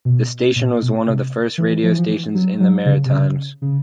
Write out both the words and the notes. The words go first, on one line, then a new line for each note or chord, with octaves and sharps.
The station was one of the first radio stations in the Maritimes.
B2
A#2
B2
C3
E3
F3
E3
F3
E3
F#3
F#3
C#3
C3
C#3
C#3